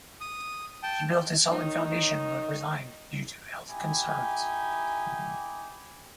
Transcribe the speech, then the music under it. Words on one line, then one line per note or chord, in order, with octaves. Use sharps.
He built a solid foundation but resigned due to health concerns.
D#6
G5 A5
D#3 C#4 D#4
D#4 E4 G4 G5 G#5